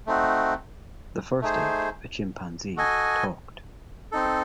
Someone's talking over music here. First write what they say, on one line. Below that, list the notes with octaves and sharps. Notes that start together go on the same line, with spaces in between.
The first ape, a chimpanzee, talked.
A3 C4 D#4 F#4
A3 D#4 G#4 C5
F#4 A4 D#5 G#5
C4 D#4 A4